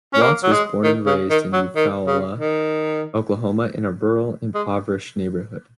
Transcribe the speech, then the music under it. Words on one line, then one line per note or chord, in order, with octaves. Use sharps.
Watts was born and raised in Eufaula, Oklahoma, in a rural impoverished neighborhood.
C#4
A#3
F#3
G#3
D#3
C#3
D#3
F#3
D#3
C#3
D#3
G#3